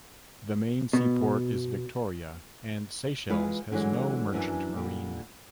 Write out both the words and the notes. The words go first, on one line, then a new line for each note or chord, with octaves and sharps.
The main seaport is Victoria, and Seychelles has no merchant marine.
B2
E3 G#3 F4 B4
D3 E3 F#3 G#3
F#2 E3 D4 E5 G#5
A#2 D3 G3